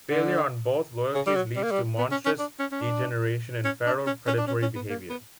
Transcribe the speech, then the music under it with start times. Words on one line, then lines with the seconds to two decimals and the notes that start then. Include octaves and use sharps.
Failure on both loyalties leads to monstrous degeneration and feral predatory behavior.
0.10 D3
1.15 C#3
1.27 G3
1.35 F#3
1.56 G3
1.63 A#3
1.71 G3
1.98 B3
2.11 C#4
2.26 C#4
2.39 D4
2.60 C#4
2.72 C#4
2.82 D4
3.64 C#4
3.86 D4
4.07 C#4
4.27 C#4
4.38 D4
4.47 C#4
4.62 C#4
4.75 B3
4.90 A#3
5.10 B3